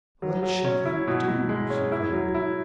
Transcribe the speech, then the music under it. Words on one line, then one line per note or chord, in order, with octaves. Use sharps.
"What shall I do?" she cried.
F#3
F#3
C#4
E4
B2
B2
G#3
C#4
E4
F#3
E4